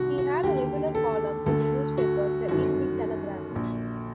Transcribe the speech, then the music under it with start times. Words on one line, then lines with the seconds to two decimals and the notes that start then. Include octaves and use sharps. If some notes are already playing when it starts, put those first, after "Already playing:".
He had a regular column in the newspaper "The Evening Telegram".
Already playing: C2 C3 D#3 F#4
0.18 F#4
0.43 D#2 D3 G4
0.95 A4
1.46 D2 D3 A4
1.98 F#4
2.48 G1 F#2 D#3 F#4
3.51 A#1 A#2